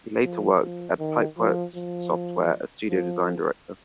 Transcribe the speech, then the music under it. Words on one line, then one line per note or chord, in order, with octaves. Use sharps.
He later worked at Pipeworks Software as Studio Design Director.
F3
F3
D#3
F3
F3
F3